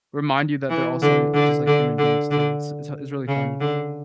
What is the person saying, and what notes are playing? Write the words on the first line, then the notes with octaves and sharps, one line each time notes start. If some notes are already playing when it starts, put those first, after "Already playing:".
remind you that they're also just, like, human beings too, it's it's h it's really funny.
E3
D3
D3
D3
D3
D3
C#3
D3